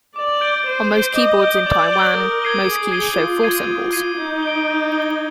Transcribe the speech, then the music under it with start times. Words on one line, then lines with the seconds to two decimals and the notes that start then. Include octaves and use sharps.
On most keyboards in Taiwan, most keys show four symbols.
0.16 D5 D6
0.41 G6 D7 G7
0.66 C5 D6
0.91 G6 D7 G7
1.16 D#5 D6
1.41 G6 D7 G7
1.66 D5 D6
1.92 G6 D7 G7
2.17 A#4 D#6
2.42 G#6 C7 D#7 G7
2.67 G#4 D#6
2.91 G#6 C7 D#7 G7
3.17 F4 D#6
3.42 G#6 C7 D#7 G7
3.67 D#6
3.93 G#6 C7 D#7 G7
4.17 D#4 G6
4.43 D7 G7
4.68 G6
4.92 D7 G7